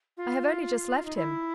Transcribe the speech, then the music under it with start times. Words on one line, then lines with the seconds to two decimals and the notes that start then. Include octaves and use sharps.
"I have only just left him."
0.17 F4
1.05 D#4
1.16 E4